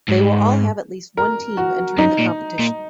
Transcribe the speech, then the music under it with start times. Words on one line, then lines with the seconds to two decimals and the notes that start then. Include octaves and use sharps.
They will all have at least one team entering the competition.
0.09 G#2
1.17 A#4
1.57 F#4
1.98 F#2 D#4
2.19 A#2
2.59 A#2